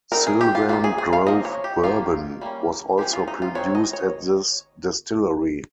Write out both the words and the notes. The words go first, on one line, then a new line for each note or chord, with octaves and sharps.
Sylvan Grove Bourbon was also produced at this distillery.
G3 C4 D#4 A#4
G#4
G4
F4
G3 A#3 D#4 F4
G#4
G#4
F5
F3 A#3 D#5
C#5
G4
D#3 A#3 D#4 F4
G3 A#3 C#4
F3 G#3 C#4 G4
F4
D#4
F4
G#3 C4 D#4 C#5
D#5
C#5